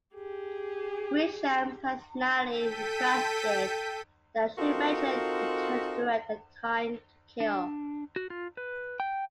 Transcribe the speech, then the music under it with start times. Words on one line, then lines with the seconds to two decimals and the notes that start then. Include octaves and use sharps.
Grisham personally requested that Schumacher return to direct "A Time to Kill".
0.15 G4 G#4
2.48 A4 G5 G6 B6 D#7
4.58 C4 D#4 F4 F#4 A4 A#4
7.40 D4
8.16 F#4
8.30 F4
8.57 B4
9.00 G5